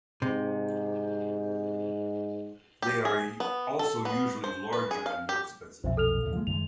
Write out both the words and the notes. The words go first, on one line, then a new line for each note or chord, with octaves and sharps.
They are also usually larger and more expensive.
G#2 C3
G4
G#4
B3
A4
B3
C5
B4
G#4
F5
G4
B1 F2 A#2 C5 E5
A4 F6 F7
D#2 A2 C3
F3 G#3 A#3
F#2 D#3 G#3 F7